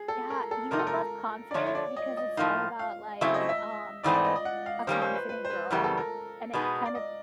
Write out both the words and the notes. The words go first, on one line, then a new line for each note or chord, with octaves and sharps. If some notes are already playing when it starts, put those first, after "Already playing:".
Yeah. You would love Confident because it's all about, like, um, a confident girl, and it kinda
Already playing: G#4
A4
A#4
A4
C3 F3 A#3 D#4 A#4
A4
A#4
D5
D3 F3 A3 D4 C#5
C#5
D5
D#5
D#5
A2 F3 A#3 D#4 F5
F5
C#3 F#3 A3 C4 E4 E5
D#5
E5
G#2 E3 A3 C4 D#4 D5
D5
D#5
D#5
F#5
F5
D#3 G3 A#3 C#4 C5
C5
B4
B4
C5
B4
F#2 C#3 E3 G3 B3 A#4
A4
A#4
B2 G#3 B3 D#4
D5
D#5